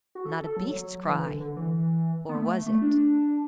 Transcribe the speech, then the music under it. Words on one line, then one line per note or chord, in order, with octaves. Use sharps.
Not a beast's cry--or was it?
F#4
A4
A4
A4
F#3
F#3
E3
D3
D3
E3
B3
A3
A3
D4